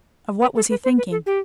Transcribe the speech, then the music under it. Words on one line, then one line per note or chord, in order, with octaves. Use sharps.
Of what was he thinking?
B4
A4
B4
C5
B4
A4
G4